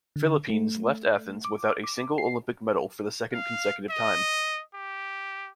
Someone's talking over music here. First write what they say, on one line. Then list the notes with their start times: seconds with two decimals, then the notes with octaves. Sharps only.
Philippines left Athens without a single Olympic medal for the second consecutive time.
0.16 D3
0.50 A3
1.45 D6
1.84 D6
2.18 C7
3.33 F5
3.91 D#5
4.75 G4